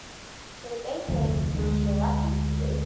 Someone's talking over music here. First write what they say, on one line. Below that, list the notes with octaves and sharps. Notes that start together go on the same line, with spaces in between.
So they think she left it with you.
F1 D2
D2 G#3